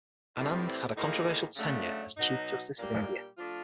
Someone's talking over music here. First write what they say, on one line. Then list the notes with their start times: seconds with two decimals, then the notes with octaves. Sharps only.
Anand had a controversial tenure as Chief Justice of India.
0.35 A2 E3 G3 C4
0.96 A2 F3 A#3 D#4 G#4
1.56 C#3 F#3 A3 D4
2.17 B2 F#3 B3 D#4
2.78 A#2 G3 A#3 D4 G4
3.38 F3 A3 D4 F4